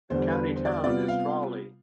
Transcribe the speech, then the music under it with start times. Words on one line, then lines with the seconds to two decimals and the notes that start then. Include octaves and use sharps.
The county town is Tralee.
0.10 E2 D3 G3 C5
0.29 B4
0.56 C5
0.65 D5
0.84 C3 G3 B3 F4 D5
1.08 F5